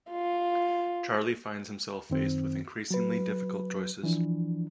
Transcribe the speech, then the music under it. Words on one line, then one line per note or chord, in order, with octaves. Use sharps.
Charley finds himself faced with increasingly difficult choices.
F4
F#2 D#3 C4
F#3 B4
E3 F3 D4